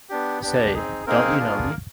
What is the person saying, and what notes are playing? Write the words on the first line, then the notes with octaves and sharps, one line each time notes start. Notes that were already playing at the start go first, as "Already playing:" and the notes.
Say, don't you know me?
B3 D4 G4
B3 D4 G4
C4 D#4 G#4
A#3 C4 D#4 G#4 A#4
B3 D4 F4 G#4